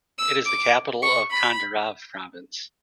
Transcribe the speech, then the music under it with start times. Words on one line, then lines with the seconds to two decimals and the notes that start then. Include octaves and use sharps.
It is the capital of Candarave Province.
0.18 E6
0.46 D6
1.02 C#6
1.30 B5